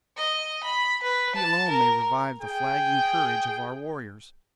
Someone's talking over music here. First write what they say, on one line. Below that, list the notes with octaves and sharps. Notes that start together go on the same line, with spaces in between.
He alone may revive the flagging courage of our warriors.
D#5
B5
B4
A5
A#4
G#4 G5